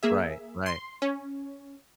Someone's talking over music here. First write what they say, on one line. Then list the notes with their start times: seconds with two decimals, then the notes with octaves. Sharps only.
Right, right.
0.03 A#3 G#4 E5
0.66 C6
1.02 C#4